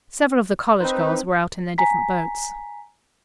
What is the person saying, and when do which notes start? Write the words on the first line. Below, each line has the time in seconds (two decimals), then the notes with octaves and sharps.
Several of the college girls were out in their different boats.
0.81 C4 D#4 B4 C5
1.78 G#5 A#5 B6